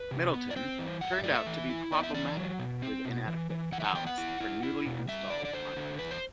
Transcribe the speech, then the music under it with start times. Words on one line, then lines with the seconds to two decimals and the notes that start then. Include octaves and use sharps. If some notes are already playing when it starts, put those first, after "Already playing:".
"Middleton" turned out to be problematic with inadequate ballast for newly installed armament.
Already playing: B4
0.11 C3
0.34 B3
0.51 D5
0.56 C4 C5
0.79 E3
1.01 G2 F#5
1.13 E5
1.24 A3 D5
1.35 E5
1.46 E3
1.69 E4
1.92 B3 D5
2.03 E5
2.14 E3 D5
2.37 F#3
2.59 B2
2.82 C4
3.05 B2
3.28 E3
3.50 E3
3.72 E3 F#5
3.80 E5
3.84 F#5
3.95 B3 G5
4.07 F#5
4.18 E4
4.40 E4
4.63 E4
4.86 B2
5.08 G3 E5
5.30 D3 D5
5.45 D5
5.53 D3 C5
5.76 D3
5.99 E2 B4
6.11 C5